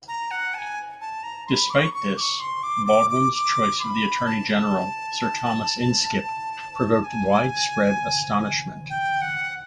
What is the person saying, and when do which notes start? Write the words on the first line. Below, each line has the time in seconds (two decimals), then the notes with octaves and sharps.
Despite this, Baldwin's choice of the Attorney General Sir Thomas Inskip provoked widespread astonishment.
0.08 A#5
0.31 F#5
0.54 A5
0.58 G#5
1.01 A5
1.23 A#5
1.47 C6
1.52 B5
1.70 D6
1.73 C#6
1.94 C#6
2.17 D6
2.20 C#6
2.40 C6
2.63 D6
2.86 D6
3.10 D6
3.33 D6
3.79 C6
3.83 B5
4.26 A5
7.04 G#5
8.90 G5
9.22 F#5